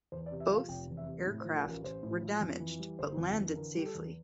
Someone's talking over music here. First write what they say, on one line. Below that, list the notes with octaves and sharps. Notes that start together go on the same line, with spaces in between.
Both aircraft were damaged, but landed safely.
E2 C5
D5
C3
E5
F3
F5
F1 G5
E2
E5
C3
A2
C5
F3
A#4
A1
A#4
A1 C5
A2
F3
F2
E3
G3
G1 C5
F2
E3
D3 A#4
G3 G4
A4
E2